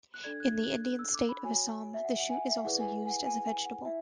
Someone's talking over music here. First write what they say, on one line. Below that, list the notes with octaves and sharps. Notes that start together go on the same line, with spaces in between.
In the Indian state of Assam, the shoot is also used as vegetable.
F#6
D4 A4 D5 G#6
F#6
G#6
F#6
F#6
E6
D6
B5
F#4 C#5 G#5
E5
F#5
F#5
G#5
F#5
E5
E4 G#4 B4 D5 F#5
G#5
G#5
F#5
G#5
G#5
F#5
E4 E5